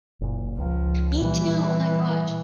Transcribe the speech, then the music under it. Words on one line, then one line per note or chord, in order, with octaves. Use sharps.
Me too! Oh my gosh.
F#1 A#2
C#2 F3
A#2 E3 G3